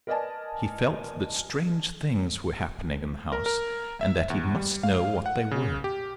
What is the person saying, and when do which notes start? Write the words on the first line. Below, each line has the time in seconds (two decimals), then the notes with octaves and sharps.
He felt that strange things were happening in the house and that he must know what they were.
0.07 A#4 B4 D5 D#5 G#5 A5
3.32 A#4
3.46 A#4
4.01 E5
4.30 E2
4.55 G3
4.83 F5
5.26 F#5
5.51 C#3
5.84 G4